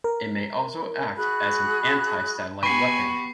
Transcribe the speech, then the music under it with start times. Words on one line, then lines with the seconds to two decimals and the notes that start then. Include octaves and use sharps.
It may also act as an anti-satellite weapon.
0.04 A#4
1.16 F#4 G#4 B5 F#6
2.63 B3 F#4 G4 G#5 B5 C#6 C7